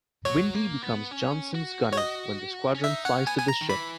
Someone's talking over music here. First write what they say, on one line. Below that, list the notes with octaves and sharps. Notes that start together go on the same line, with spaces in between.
Windy becomes Johnson's gunner when the squadron flies to the ship.
F#3 C#5
A#3
B3
C#4
F#4
C#5
D#5
C#4
D#4 E5
C#4 F#5
B3 G#5
G#5
A#5
D#3
E3 B5